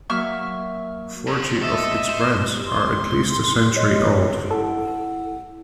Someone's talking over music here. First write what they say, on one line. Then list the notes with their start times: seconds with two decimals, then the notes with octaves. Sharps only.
Forty of its brands are at least a century old.
0.10 F#3 A#3 E5 C#6 F6
1.28 D2 F3
1.63 A4 D#5 E5 E6
2.09 C5
2.66 C6
3.76 C#5 D#5
4.51 E4 A4 F#5